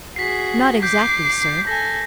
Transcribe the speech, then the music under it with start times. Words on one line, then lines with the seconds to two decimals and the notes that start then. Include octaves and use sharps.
"Not exactly, sir."
0.16 F#4 G#4 B6 C7
0.82 D6 G6 B6 C7
1.67 A4 G#5 A#6